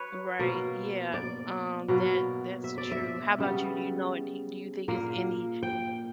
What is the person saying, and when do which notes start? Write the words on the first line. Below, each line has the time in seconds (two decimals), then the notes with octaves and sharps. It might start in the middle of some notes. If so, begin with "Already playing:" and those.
Right, yeah, um, that that's true, how about you? Do you know an do do you think it's any
Already playing: B4 C#5
0.39 B2 A#3
1.14 D5
1.88 B2 F#3 A#3
2.64 E5
2.78 D5
2.92 E5
3.38 C#3 G3 B3
4.88 A#2 A#3
5.63 G5